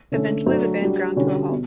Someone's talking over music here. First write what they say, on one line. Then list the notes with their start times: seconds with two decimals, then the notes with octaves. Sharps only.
Eventually the band ground to a halt.
0.12 D3 A3 C#4
0.46 F#3 A3 D4
0.82 G3 D4 F#4
1.16 D3 G3 C#4 F#4
1.51 B2